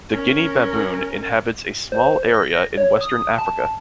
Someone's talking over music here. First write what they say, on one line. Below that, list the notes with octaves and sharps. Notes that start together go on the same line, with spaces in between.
The Guinea baboon inhabits a small area in western Africa.
C#4 A#4
C5
A#6
C#5
D#6
A5